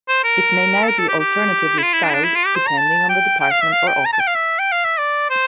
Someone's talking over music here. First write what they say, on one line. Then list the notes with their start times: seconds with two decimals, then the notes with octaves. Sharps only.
It may now be alternatively styled, depending on the department or office.
0.08 C5
0.24 A#4
0.83 A4
0.88 A#4
0.98 A4
1.08 G4
1.19 G4
1.78 E4
1.83 F4
1.93 E4
2.04 D4
2.10 E4
2.14 D4
2.24 E4
2.35 F4
2.46 G4
2.56 C5
2.67 A#5
2.77 A5
3.09 G5
3.40 G5
3.51 F5
3.61 E5
3.72 F5
3.87 G5
4.05 A#5
4.13 A5
4.20 G5
4.27 F5
4.35 E5
4.59 G5
4.72 F5
4.85 E5
4.98 D5
5.30 C5